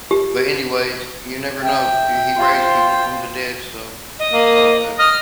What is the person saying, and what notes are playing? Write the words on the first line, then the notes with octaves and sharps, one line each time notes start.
but anyways, you never know p He raised people from the dead, so it's all good.
G4
E5 G5
F4 C5
D#5
A#3
D#5 F6